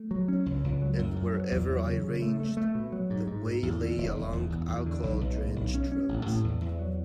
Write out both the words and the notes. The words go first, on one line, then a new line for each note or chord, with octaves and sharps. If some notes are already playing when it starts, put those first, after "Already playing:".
And wherever I ranged, the way lay along alcohol-drenched roads.
Already playing: A3
F#3
C#4
C#2
C#2
F#3
F#2
F#2
F#3
E2
F#3
C#3
C#3
A3
A3
A3
B2
F#3
G#2
G#2
G#2
E2
D3
E1
E1
E2
E2
E2
D3
B1
B1
A2
B1
C#4
C#4
A1
A2
E2
E2
F#3